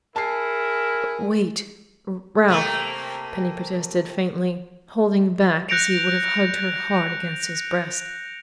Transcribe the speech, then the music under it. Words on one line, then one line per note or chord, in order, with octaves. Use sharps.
"Wait, Ralph!" Penny protested faintly, holding back as he would have hugged her hard against his breast.
E4 G#4 A#4 A5 C7
C3 A3 A#3
F#6 G6 A#6 C#7 D7 F7